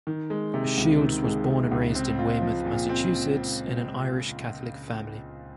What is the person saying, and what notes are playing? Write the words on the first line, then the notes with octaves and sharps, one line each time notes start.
Shields was born and raised in Weymouth, Massachusetts, in an Irish Catholic family.
D#3
G#3
C3
C#2
D#3
G#3
C3
C#2
C4
F4
F3
A#2
C4